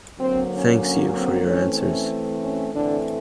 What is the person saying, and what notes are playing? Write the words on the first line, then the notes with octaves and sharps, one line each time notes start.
Thanks you for your answers.
D3 F#3 A#3 C4
C#4
C#4
C4
E3 A3 C4 C#4
C#4
C#4
A2 D3 E3 A3 C4 D4